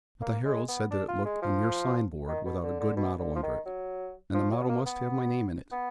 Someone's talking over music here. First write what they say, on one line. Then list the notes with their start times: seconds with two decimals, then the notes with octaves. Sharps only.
But the heralds said that it looked a mere sign-board, without a good motto under it; and the motto must have my name in it.
0.22 A#3
0.45 G#3
0.68 B3
0.91 D4
1.08 F4
1.25 G#3
1.42 F3
2.28 D#3
2.45 B2
2.63 D3
2.80 D3
2.96 B2
3.19 D3
3.35 F3
3.43 D#3
3.66 F#3
4.34 F3
4.51 F#3
4.62 B3
4.69 A#3
4.86 B3
5.72 B3